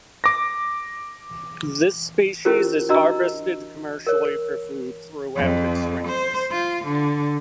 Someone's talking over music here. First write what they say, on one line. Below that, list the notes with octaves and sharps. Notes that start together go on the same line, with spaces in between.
This species is harvested commercially for food throughout its range.
D6 A#6
C#4 E4 F4 G4 A#4 C5
D4 F#4 D#5 A#5 E6
A#4 C#5
F2
C5
F4
D3